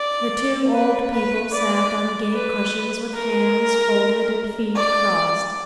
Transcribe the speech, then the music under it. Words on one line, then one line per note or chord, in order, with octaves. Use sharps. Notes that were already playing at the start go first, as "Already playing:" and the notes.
The two old people sat on gay cushions with hands folded and feet crossed.
Already playing: D5
B4
B4
D5
B4
A#4
D5